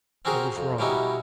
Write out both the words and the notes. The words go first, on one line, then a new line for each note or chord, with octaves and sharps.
I was wrong.
C4 C#4 F#4 G#4 A#4 C5
F2
B2 G3 B3 C#4 D#4 E4